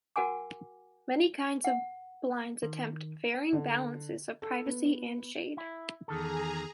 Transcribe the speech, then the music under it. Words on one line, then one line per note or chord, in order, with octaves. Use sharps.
Many kinds of blinds attempt varying balances of privacy and shade.
F#4 A#4 F#5 G#5 D6
F#5
D#3
D3
A4
B3
E4
E2 D#3 G#4 A4 A#5